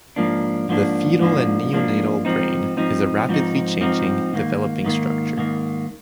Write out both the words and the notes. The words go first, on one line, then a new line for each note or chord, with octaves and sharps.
The fetal and neonatal brain is a rapidly changing, developing structure.
G#2 F3 A#3 D4
G#2 F3 A#3 D4
G#2 F3 A#3 D4
G#2 F3 A#3 D4
G#2 F3 C4 D#4
G#2 F3 C4 D#4
G#2 F3 C4 D#4
G#2 F3 C4 D#4
G#2 D#3 A#3
G#2 D#3 A#3
G#2 D#3 A#3